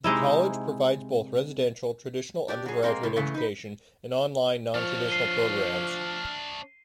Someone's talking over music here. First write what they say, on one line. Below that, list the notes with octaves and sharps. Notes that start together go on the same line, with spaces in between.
The college provides both residential, traditional undergraduate education and online, non-traditional programs.
C3 G#3 D#4 E4
D4 G4 D5
F#3 G#4
G#3 A#3 C4 A#4 C#5
A2 C3
C#3 E3 A3
D#4 B4
F3 D4 C#5 F6
C7 D#7 G7